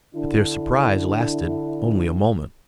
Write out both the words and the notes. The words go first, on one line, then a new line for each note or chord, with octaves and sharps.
But their surprise lasted only a moment.
D3 D4 E4